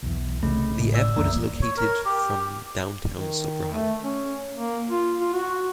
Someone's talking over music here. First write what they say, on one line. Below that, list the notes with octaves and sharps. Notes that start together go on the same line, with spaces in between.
The airport is located from downtown Sobral.
B1 E2
C2 C#3 A3
G#1 A2 C#3
D5 E6
C2 F#2 E3 A#3 A#5
C#5
A#4
G4
D#3
A3
C#4
A#3
F4
F4
F#4